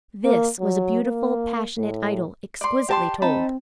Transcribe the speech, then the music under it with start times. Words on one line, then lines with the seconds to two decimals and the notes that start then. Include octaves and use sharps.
This was a beautiful, passionate idyl exquisitely told.
0.24 A#3
0.59 F#3
1.04 A#3
1.78 A2
2.61 D5 C6
2.89 G4 A5 C6
3.22 C4 D#4 A5 B5